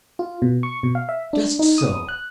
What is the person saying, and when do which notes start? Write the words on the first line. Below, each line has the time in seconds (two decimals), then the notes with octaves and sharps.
Just so.
0.19 F4
0.42 B2
0.63 C#6
0.83 B2
0.95 F5
1.09 E5
1.33 D4
1.59 D#4
1.78 D#6
2.09 F#6